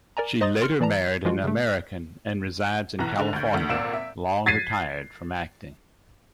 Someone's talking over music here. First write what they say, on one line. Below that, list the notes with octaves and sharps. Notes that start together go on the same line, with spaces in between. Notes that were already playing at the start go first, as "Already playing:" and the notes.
She later married an American and resides in California, long retired from acting.
A#4 D5 G#5 A#5
C5 D#5 A#5 C6 D#6 A6
C6 F6 C#7
E3 D5 A5 A#5
F3 G#3 F4 F#4
C#3 A3
B1 E3 A#5 F#6
D3 G#3
D2 G6
D2 A3
G#1 A#2 F5 E6 D7 E7
E5
G#6 A6 B6 C7 D#7